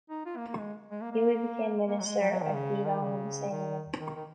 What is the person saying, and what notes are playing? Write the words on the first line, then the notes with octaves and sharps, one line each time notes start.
Huie became minister at Geelong in the same year.
D#4
F4
A#3
A#3
G#3
G#3
A#3
A#3
A#3
F#3
G#3
F#3
F#3
D#3
C#3
D#3
C#3
D#3
D#3
D#3